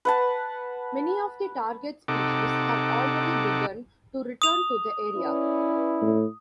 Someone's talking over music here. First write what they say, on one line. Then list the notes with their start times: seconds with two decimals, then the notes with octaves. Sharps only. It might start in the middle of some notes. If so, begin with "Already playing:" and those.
Many of the target species have already begun to return to the area.
0.05 B4 F#5 A5
2.08 C3 D#4 A4 F#5 D6
4.42 D#6 F7
5.15 C#4 E4 B4 D5
6.02 A2